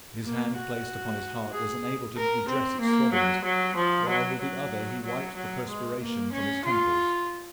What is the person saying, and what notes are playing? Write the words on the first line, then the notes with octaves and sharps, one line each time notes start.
His hand placed upon his heart was unable to redress its throbbings, while, with the other he wiped the perspiration from his temples.
A#3
F#4
G#4
A#4
C4
A#3
F#3
F#3
F3
F#3
F#3
F#3
F#3
G#3
A#3
C#4
F4